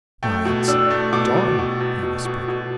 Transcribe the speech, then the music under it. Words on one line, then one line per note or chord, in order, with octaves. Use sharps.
"Why, it's dawn," he whispered.
A3 G5
B2
D4 E6
A3
B2 D6
B2
B2
B2
B2
B2
B2